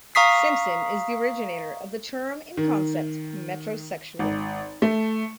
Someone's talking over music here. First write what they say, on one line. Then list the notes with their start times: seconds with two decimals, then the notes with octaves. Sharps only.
Simpson is the originator of the term and concept metrosexual.
0.15 F5 A#5 C#6 D#6 B6 C7
2.57 D#3
4.19 G#1
4.82 A3